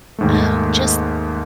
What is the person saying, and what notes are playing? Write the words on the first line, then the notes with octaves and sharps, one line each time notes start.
Oh, just
D#2 G#2 A3